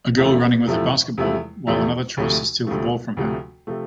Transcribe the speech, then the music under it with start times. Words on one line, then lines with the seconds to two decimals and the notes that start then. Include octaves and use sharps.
A girl running with a basketball, while another tries to steal the ball from her.
0.17 E2 C3 F3 A3 E4
0.67 E2 C3 F3 A3 E4
1.18 E2 C3 F3 A3 E4
1.67 E2 C3 F3 A3 E4
2.17 D2 C3 F3 A3
2.67 D2 C3 F3 A3
3.17 D2 C3 F3 A3
3.67 C3 F3 A3